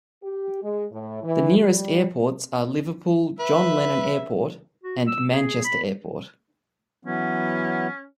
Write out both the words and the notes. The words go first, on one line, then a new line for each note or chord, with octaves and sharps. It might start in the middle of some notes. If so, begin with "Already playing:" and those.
The nearest airports are Liverpool John Lennon Airport and Manchester Airport.
G4
G#3
A2
E3
G3
B4 E5
F#4
E6
G#4
B5
E3 F#3 B3 C#4